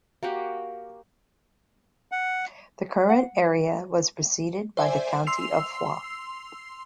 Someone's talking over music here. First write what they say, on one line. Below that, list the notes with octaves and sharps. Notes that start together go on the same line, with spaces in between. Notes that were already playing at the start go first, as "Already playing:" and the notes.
The current area was preceded by the County of Foix.
A#3 F#4 G4
F#5
F#5
C5 D5 E5 G#5
C6 E6 C7 F7